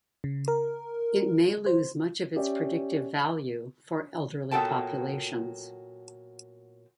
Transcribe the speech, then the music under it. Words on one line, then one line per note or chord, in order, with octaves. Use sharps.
It may lose much of its predictive value for elderly populations.
C#3
A#4
C5
C#4 G4 D5 E5
A#2 F#3 B3 A4 G5 A5